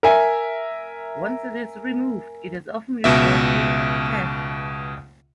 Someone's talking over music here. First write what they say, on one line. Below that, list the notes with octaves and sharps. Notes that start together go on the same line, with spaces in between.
Once it is removed it is often referred to as chaff.
A#4 E5 G#5
C#2 B2 E5